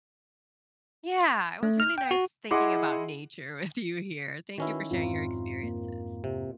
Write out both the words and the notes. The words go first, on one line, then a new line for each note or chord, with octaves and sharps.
Yeah, it was really nice thinking about nature with you here. Thank you for sharing your experiences.
A3
F6
G5
F#4
E4 G#4 D#5 F#5 C6 D6
D#3 C#4 E4 F#4 B4
F2 G#2 C4 F4 A#5
A#3
C3